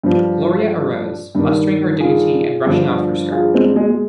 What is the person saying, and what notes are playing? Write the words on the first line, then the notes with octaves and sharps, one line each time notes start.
Gloria arose, mustering her dignity and brushing off her skirt.
G2 F3
G2 D#3
F4 G#4
G2 D3 F3
F4 G#4
G#3 C4
G#3
G#3